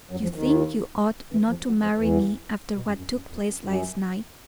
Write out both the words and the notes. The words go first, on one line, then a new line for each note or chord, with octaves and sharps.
You think you ought not to marry me after what took place last night.
F#2 F#3
F2 F3
D#2 D#3
E2 E3
F2 F3
F#2 F#3
F2 F3
E2 E3
B2
F#2
F#2
F#2
F2
F#2
F#2